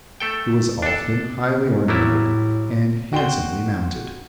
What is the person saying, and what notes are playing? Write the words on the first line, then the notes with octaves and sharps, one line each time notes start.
It was often highly ornamented, and handsomely mounted.
A3 A4 G5
D4 A4
A2 F#3 G3 E4
F#4 G5 C6 G7